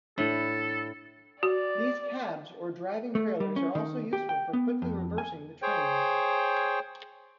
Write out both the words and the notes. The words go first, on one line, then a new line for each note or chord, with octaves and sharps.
These cabs or driving trailers are also useful for quickly reversing the train.
A2 D4 E4 A4
F#4 D5
A3
G3
C#4
D#3
G4
G5
B3
F2
G#5
G#4 C5 C#5 G5